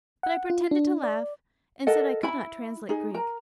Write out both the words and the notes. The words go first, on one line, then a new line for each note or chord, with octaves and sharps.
But I pretended to laugh, and said I could not translate Greek.
F#5
F4
D4
D5
A4 A#4 D#5 F#5
E4 B5
D#4 G#4
A#4 A#5